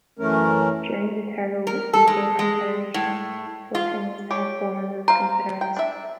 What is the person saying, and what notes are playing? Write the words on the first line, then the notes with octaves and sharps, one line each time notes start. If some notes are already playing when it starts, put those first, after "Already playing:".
During the Targowica confederation Tulchin was the headquarters of the confederates.
F#2 E3 A3 C#4 A#4
A#4
A4
G#3
G#3
A2
F4
G4 A4 C#5
C5 F5 A#5
G5
D4 E5